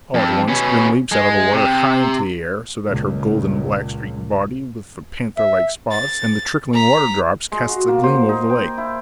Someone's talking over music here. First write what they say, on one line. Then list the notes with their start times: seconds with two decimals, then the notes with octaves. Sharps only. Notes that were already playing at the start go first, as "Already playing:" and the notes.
All at once, Grim leaps out of the water high into the air, so that her golden, black-streaked body, with the panther-like spots and the trickling water-drops, casts a gleam over the lake.
0.14 F2
0.48 B2 C#4
1.12 G#3
1.53 C3
2.85 C#2 A#2
5.37 E5
5.91 A6
6.72 A#5 B6
7.52 G#3
7.69 F#4
7.88 A#3
8.03 C5
8.29 D#4
8.50 G5
8.78 E4